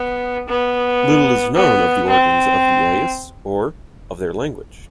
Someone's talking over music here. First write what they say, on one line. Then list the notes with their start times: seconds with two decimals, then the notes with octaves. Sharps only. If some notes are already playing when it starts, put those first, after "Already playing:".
Little is known of the origins of the Ais, or of their language.
Already playing: B3
0.47 B3
1.55 B3
2.09 C4